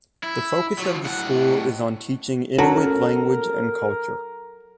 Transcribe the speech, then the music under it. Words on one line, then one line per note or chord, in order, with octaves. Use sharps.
The focus of the school is on teaching Inuit language and culture.
E4
F3 F#3
A2 F#5
F#3 C#4 A4 A#4 F#5 A5